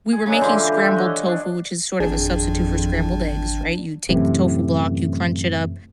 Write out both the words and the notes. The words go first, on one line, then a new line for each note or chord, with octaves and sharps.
we were making scrambled tofu, which is sort of a substitute for scrambled eggs, right? You take the tofu block, you crunch it up,
G#4
C#3 F#3 G#3 D4
D3 E3 F4 C5
G4 E5
C#5 D#5 F#5
D4
G#1 F2 D4 G#4
F#2 A2 C3 E3